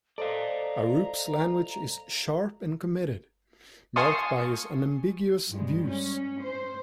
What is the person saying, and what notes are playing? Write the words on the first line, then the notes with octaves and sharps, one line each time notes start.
Arup's language is sharp and committed, marked by his unambiguous views.
A4 C5 D5 D#5 F5 A#5
F5 G#5 A5 C6 C#6 D#6
G2 G3 G#3
C#4
C5